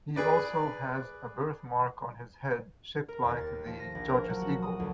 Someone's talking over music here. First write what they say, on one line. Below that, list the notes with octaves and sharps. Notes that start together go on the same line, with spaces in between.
He also has a birthmark on his head shaped like the Judges' Eagle.
G#4 B4 D5
A#4
D#2
A6
F3
A#6
A#1
A#4
F#3
F#4
D#6
D2